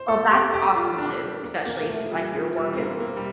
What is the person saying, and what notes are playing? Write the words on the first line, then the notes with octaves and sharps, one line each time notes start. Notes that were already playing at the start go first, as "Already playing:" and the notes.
Oh, that's awesome too, especially if, like, your work is
Already playing: C5
A4
G4
G4
F4
D4
A#3
A#3
A#3
A3
F3
G3
F3
G3
C4
A#3
A#3
G3